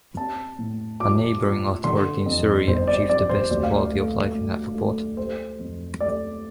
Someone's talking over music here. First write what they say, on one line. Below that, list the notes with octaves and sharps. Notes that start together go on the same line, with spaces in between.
A neighbouring authority in Surrey achieved the best quality of life in that report.
C4 A5
A2
F4 D6
F4
D3 C6
F2
G1 C5
D5
F2 D5
C5
D2 D5
F5
D5
A3
A3
A3
A3 C5
F2
A3 D5